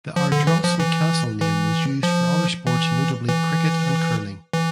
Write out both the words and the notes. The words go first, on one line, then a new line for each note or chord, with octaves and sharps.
The Ardrossan Castle name was used for other sports notably cricket and curling.
F3
D3
E3
F3
E3
E3
F3
E3
E3
E3